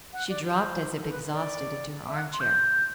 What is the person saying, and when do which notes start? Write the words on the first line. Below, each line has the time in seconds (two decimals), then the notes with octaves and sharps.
She dropped as if exhausted into her armchair.
0.13 F#5
0.29 D5
0.45 C5
1.04 A4
1.11 B4
1.32 D5
2.08 E5
2.16 F#5
2.32 C6
2.40 G6